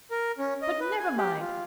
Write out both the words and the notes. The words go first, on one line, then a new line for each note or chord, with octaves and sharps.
But never mind.
A#4
C#4
D#5
B4
G#5
G4
F4